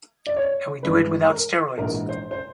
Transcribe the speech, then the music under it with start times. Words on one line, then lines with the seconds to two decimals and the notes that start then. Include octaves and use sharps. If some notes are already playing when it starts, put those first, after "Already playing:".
And we do it without steroids!
0.27 D5
0.36 C#5
0.83 G2 E3 G#3 B4
1.30 A#4
1.78 A#1 G#2 E3 A#4
2.09 C5
2.31 C5